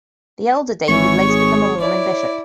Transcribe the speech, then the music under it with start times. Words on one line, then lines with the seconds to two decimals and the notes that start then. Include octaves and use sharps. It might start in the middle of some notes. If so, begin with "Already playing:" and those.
The elder David later became a Mormon bishop.
0.88 G#1 E3 C#5 C#6
1.27 G#4
1.81 E4 C#5 D5